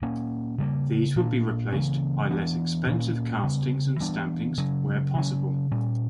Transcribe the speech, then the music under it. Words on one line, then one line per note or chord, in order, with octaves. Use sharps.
These would be replaced by less expensive castings and stampings where possible.
A#2 A#3 C#4
C#3 G3 A#3
A#2 A#3 D4
C#3 E3 A#3 C#4
E3 B3 D4
A#2 A#3 C#4
C#3 G3 B3
E3 G3 B3 D4
C#3 F#3 C#4
C#3 F#3 C#4
A#2 G3 C#4